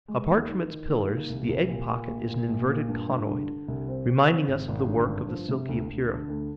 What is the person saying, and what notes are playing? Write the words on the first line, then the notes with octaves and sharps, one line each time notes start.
Apart from its pillars, the egg-pocket is an inverted conoid, reminding us of the work of the Silky Epeira.
G#3
D#2
D#3
D#3
D#3
A#3
C2
C2
A#2
A#2
A#1
A#2
A#1
A#2
G2
G2
D3
D3
C2
C4
C4
C4
G#1
G#1
D3
G2
F3
C3
D2
D2
D3
D2